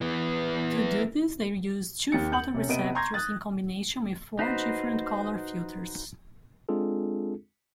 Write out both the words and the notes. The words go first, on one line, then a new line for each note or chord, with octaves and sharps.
To do this they use two photoreceptors in combination with four different colour filters.
E3 B3
D#2 G4 A6 C#7
G6 F#7
C3 C#4
C3 B3 D#5 D7 D#7
A#5 C6 C#6 G6 G#6 A#6
D#6 F#6 A6
D#4 F#4 B4 C5
G#3 C4 D4 F4 G#4 A4